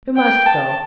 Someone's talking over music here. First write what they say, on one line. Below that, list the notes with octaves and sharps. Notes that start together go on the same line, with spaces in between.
You must go.'
G5
A5